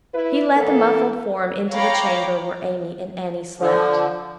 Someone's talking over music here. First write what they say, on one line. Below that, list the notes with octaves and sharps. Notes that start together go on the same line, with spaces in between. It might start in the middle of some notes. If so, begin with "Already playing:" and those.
He led the muffled form into the chamber where Amy and Annie slept.
E4 B4
E3 A#3 B3 A4
C#5 F5 G5 A#5 B5 D6
D3 F3